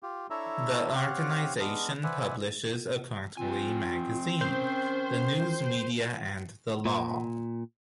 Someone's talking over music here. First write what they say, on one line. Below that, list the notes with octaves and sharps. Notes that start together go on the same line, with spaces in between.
The organization publishes a quarterly magazine, "The News Media and The Law".
F4 G4
D4 E4 A4 C#5 E5 A#5
C4 G4 C#5 F5 F#5
G#3 B3 D4 D#6 F6
B4 C5 D5 E5 F#5 G#5
F2 C4 F4 G#5
C#4 A#4 C5 G5
A#2